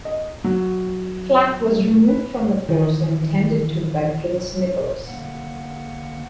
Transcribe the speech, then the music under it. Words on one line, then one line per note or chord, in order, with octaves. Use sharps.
Flack was removed from the course and tended to by Prince Nicholas.
D#5
F#3
B4
D#3 E3
D3 A#3 F#5